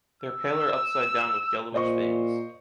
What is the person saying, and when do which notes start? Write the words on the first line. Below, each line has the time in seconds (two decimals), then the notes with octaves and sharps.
They're paler upside down with yellowish veins.
0.22 E6
1.74 A#2 C5 D#5 C#6